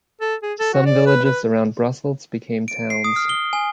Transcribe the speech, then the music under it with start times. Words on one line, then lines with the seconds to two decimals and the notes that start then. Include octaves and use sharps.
Some villages around Brussels became towns.
0.21 A4
0.43 G#4
0.59 A4
0.74 F#4
0.86 D5
1.06 B4
1.25 B4
2.68 D7
2.90 C7
3.04 D#6
3.16 F6
3.29 G7
3.53 G#5